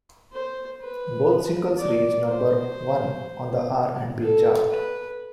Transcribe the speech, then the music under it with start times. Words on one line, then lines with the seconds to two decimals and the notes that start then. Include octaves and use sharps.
Both singles reached number one on the R and B chart.
0.33 C5
0.81 B4
1.78 D5
2.27 C5
4.22 A4
4.70 B4